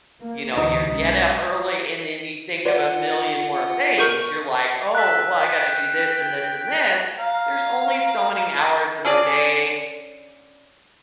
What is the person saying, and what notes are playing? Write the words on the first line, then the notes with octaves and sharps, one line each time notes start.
You know, you're getting up early and then you think of a million more things; you're like, "Oh, well, I got to do this and this and this." There's only so many hours in the day
A#3
D2 C3 E3 D#4 D#5
B1 G#3 C#4
F4 B4 C#5 D5 F#5
G#4 A#4 C#6 G6 D#7
A4 F#6 B6
G5
F5 A#5
C#4 D4 G#4 D5